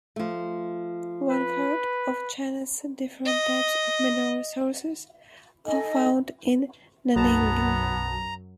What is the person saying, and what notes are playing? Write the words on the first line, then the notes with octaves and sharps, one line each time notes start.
One third of China's different types of mineral resources are found in Nanning.
F3 A3
B4
D#5
D#4 A4 D#5 G#5
B1 F#2 F#3 B3 A5 A#5